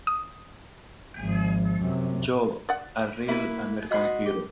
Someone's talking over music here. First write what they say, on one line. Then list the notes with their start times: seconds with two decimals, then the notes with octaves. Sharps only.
Joe: A Real American Hero.
0.07 D#6
1.18 G#1 F3
1.80 F#2 C3
2.69 D5 F#5
3.28 A#3 E4 B4
3.91 F#4 D#5 B5 C6
4.25 G4